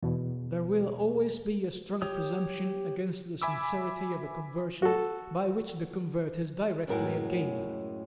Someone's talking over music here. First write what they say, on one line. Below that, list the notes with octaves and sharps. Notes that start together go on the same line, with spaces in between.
There will always be a strong presumption against the sincerity of a conversion by which the convert is directly a gainer.
E2 B2
G4 C#5 D#6
E5 G#5 B5 D6 E6
F#4 A4
F#2 A2 F#3 G#3 A#4